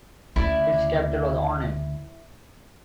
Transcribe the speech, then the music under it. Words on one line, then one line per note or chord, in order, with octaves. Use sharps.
Its capital was Arnhem.
D2 C#3 E4 D5